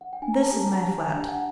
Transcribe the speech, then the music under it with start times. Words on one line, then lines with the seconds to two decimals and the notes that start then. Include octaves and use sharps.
This is my flat.
0.01 F#5
0.13 G5
0.22 D4 G#5
0.34 A#5
0.42 A5
0.52 G4
0.64 A#5
0.83 G4 A5
0.98 G#5
1.13 D4 G5
1.28 F#5